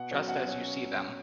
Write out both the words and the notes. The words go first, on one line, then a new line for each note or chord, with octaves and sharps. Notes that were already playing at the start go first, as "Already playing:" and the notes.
Just as you see them.
Already playing: B2 F#5
F#3 C#4
B2 F#5
F#3 C#4